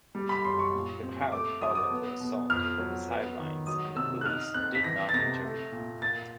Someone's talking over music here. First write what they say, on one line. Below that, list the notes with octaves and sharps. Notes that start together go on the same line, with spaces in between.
The crowd followed the assault from the sidelines and the police did not intervene.
G3
B5
F#2 C6
C#6
A#2
C4
A3 D6
F#3 D#6
D6
D#6
B3
B2
F2 F6
F#3
B3
D#3
F#3 D#6
C3 E6
F#6
D#4 F6
C4 F#6
B6
E3 A#6
A6
C3 A#6
A3
A#2
A#3 A6